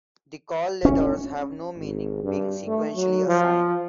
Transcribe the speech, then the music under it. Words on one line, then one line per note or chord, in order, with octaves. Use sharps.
The call letters have no meaning, being sequentially assigned.
C#4
G#1
G2
A3
F#3
F3